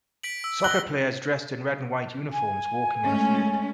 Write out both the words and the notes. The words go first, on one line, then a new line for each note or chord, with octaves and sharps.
Soccer players dressed in red and white uniforms walking on a field.
B6 D7 F#7
E6
F#6 A#6 F#7 G7
G#5
G#3 A3 C#4